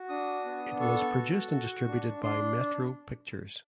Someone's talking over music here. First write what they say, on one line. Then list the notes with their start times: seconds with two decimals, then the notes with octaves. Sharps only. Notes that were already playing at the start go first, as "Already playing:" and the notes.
It was produced and distributed by Metro Pictures.
Already playing: F#4
0.09 D4 D#6
0.45 B3
0.80 A4 C#6
1.16 F#4
1.51 F#4
1.88 D4
2.23 D4 C6